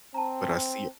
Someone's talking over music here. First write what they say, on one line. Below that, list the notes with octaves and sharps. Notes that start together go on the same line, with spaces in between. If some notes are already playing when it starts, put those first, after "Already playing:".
But I see
C4 A5 A#5